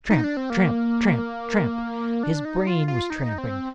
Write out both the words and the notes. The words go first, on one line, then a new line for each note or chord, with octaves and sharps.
Tramp, tramp, tramp, tramp; his brain was tramping.
D#4
D4
C4
A#3
D4
D#4
F4
F4
D#4
C4